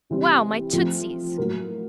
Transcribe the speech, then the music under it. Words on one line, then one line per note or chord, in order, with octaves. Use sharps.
Wow, my tootsies!
C3 E3 G3 C4
F3 A3 C4
A2 F#3 A#3